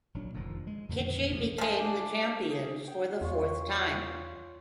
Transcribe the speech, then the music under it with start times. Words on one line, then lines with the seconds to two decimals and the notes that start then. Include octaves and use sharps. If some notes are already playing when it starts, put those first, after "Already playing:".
Kitchee became the champions for the fourth time.
0.14 A#1 F#3 D4
0.34 F1 A#2 D#3 F3
0.67 G#3
0.89 F2 A#2 D3 D#3
1.28 A1 E2 G2 C3
1.58 F3 G#3
1.75 D4
2.48 G#4
2.88 G5
3.21 E2 F4 C#5